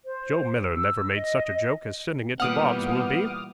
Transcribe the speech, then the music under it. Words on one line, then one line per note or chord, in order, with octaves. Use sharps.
Joe Miller never made such a joke as sending it to Bob's will be!'
C5
E6
D#5
A#2 E3 G3 B3 F#5 D6 D#6 F6